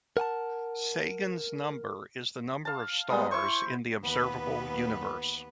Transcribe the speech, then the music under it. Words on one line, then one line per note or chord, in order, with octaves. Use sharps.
Sagan's number is the number of stars in the observable universe.
A#4 F#5 G#5 A5
F5 A5
G3 G#3 B3 D#6
E4 C5 C#6
D#2 B3 B4